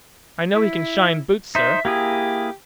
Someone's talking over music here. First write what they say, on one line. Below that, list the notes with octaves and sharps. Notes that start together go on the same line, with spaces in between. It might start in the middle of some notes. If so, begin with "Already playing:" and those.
"I know he can shine boots, sir."
E4
D#4 C5 E5
A#3 E4 G4 G#4